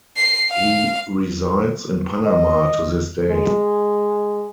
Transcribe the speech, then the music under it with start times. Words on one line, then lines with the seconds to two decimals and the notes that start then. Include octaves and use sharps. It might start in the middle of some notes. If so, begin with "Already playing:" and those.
He resides in Panama to this day.
0.17 C7
0.50 F5
2.26 D#5
3.29 G#3